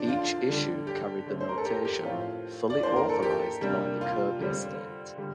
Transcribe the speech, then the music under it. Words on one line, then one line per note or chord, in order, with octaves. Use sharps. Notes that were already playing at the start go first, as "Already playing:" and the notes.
Each issue carried the notation "Fully Authorized by the Kirby Estate".
Already playing: D3 F3 C4 D4
F4
D3 G3 D4
G4
D3 A3 C4
C5
A#4
A4
G4
G4
A2 F3 C4 F4
D5
E3 A#3 D4 C5
A#4
A4
G4
C3 G3 A#3 D4
F4
D3 G3 C4
D3 G3